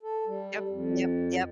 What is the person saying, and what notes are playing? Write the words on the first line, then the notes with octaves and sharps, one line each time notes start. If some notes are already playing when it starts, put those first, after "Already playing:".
Yep, yep, yep.
A4
G3
F2